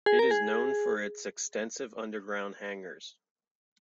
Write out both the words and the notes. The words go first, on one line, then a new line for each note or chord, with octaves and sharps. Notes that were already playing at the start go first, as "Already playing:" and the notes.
It is known for its extensive underground hangars.
G#4
A#4
G#4